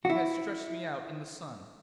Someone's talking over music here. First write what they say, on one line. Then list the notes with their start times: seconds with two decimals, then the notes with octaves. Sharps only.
He has stretched me out in the sun.
0.05 F#4
0.10 E4